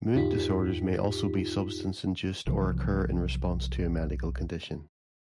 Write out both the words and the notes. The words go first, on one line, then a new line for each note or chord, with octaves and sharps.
Mood disorders may also be substance-induced or occur in response to a medical condition.
E2 G#2 D#4 F4 G4 B6
B1 C3 E3 F3